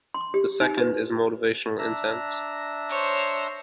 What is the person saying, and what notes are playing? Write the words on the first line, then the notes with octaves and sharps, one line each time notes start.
The second is "motivational" intent.
C6
G4
D#4
B4
D4 E5 A#5
C5 C#5